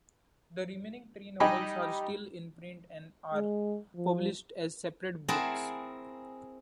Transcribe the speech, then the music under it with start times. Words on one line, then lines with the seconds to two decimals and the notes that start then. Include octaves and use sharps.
The remaining three novels are still in print and are published as separate books.
1.40 G3 D#4 G4 D#5 G#5 B5
3.34 G#3
3.96 F3
5.28 C4 E4 G#4 A#4 F#5 A5